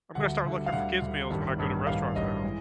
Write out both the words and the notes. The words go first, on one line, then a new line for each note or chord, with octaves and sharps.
I'm gonna start looking for kids meals when I go to restaurants now.
D2 D3 G3 F#5
D2 D3 G3
F5
D2 D3 G3 F#5
D2 D3 G3
A1 G2 D#3 G3
A1 G2 D#3 G3
A1 G2 D#3 G3 F5
A1 G2 D#3 G3 D#5
E3 G#3